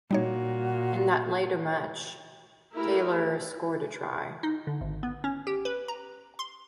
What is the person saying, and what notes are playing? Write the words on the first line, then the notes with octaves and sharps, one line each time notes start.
In that latter match Taylor scored a try.
A#2 G3 D#4 F#4 C#5
A3 E4 G4 A#4
D#4
D3
G#1
B3
C#4
G4
B4
A#5
C6